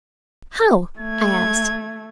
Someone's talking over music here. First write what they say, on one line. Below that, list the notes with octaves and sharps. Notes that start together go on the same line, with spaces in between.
"How?" I asked.
A3 G#6